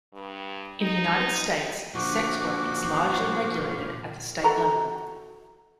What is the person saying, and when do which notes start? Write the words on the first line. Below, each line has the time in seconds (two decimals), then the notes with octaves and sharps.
In the United States sex work is largely regulated at the state level.
0.14 G2
0.81 D#4
1.94 A#2 D3 F3 F#4 D6
4.43 F#4 A4 A#5